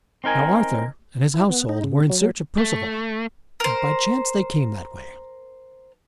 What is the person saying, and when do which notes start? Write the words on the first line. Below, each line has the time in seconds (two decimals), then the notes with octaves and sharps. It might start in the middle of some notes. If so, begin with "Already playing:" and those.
Now Arthur and his household were in search of Perceval, and by chance they came that way.
0.24 C4 D#4 A#4 G#5
1.34 E4
1.50 B3
1.69 D#4
1.84 C#3
2.10 F#3
2.58 A3
3.60 A#4 C5